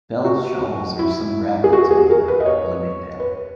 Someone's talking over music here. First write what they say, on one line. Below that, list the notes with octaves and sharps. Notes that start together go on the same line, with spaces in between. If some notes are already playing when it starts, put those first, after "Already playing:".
Bell Shoals are some rapids on the river in Bloomingdale.
F#4
E4
G#4
F#4
G#4
A#4
B4
D#5
C#5
B4